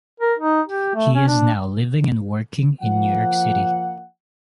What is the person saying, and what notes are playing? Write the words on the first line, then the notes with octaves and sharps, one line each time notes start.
He is now living and working in New York City.
A#4
D#4
G4
A3
C#4
D4
F3 A#3 F#5